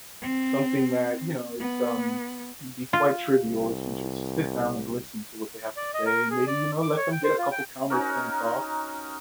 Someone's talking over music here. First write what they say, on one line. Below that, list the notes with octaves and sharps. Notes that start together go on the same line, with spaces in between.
something that you know, it's um, can be quite trivial if you just sit down and listen to what they have to say and maybe, you know, let them get a couple of counterpoints off
C4
B3
F4
C2
D5
D#5
A#4
G#4
D5
D6
C#5
G5
C5
F4
G5
C#4 D#4 F#4 A#4